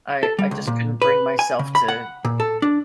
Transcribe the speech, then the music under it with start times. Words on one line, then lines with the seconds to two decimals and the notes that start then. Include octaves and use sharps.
I I just couldn't bring myself to
0.23 A4
0.39 G3
0.51 C#2
0.67 A#2
1.02 B4
1.39 G#5
1.59 C#3
1.75 B5
1.88 F#5
2.25 A#2
2.40 A4
2.62 D4